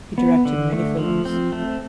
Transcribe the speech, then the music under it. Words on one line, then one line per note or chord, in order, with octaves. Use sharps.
He directed many films.
B3
D3
A3
F3
C4
A3